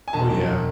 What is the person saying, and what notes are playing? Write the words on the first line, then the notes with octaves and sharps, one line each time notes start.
Oh, yeah.
G#5
E1 A5